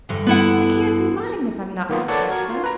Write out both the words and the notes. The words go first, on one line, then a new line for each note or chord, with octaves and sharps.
"They can't be mine, if I'm not to touch them."
E2 G2 D3
B3 E4 F#5
D#3 A#3 B3 F4
A4 B4 C#5 D5 F#5 A5
F#4 A#4 G#6
F4
B4 A#5